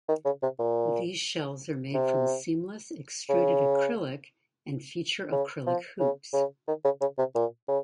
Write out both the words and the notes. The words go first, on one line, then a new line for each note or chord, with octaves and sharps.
These shells are made from seamless, extruded acrylic and feature acrylic hoops.
D#3
C#3
C3
A#2
C3
C#3
C#3
F3
C#3
C#3
D#3
C#3
C#3
C3
A#2
C#3